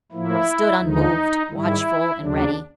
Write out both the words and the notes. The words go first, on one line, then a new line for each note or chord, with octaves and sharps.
He stood unmoved, watchful and ready.
A2 F3 A#3 E4
D#2 D3 F3 G#3 D#4
G#2 D#3 G3 E4
D#2 C#3 F#3 D4